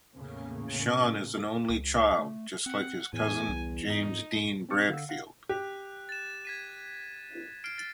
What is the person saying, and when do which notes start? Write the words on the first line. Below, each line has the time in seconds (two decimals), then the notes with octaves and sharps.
Sean is an only child, just like his cousin James Dean Bradfield.
0.15 E2 A2 C#3 A#3 C#4
1.70 C#2
2.19 A3
2.66 C4 F#5
3.13 E2 A2 G#5
3.49 C2
3.87 G#2 D#4
4.69 C4 D4 A6 C#7
4.89 D3 F5 F#5 E6
5.09 F5 F#5 C7
5.49 G4 F#6
6.09 A6 E7
6.45 G#6 B6 D#7
7.64 F6 C7 D7
7.78 A6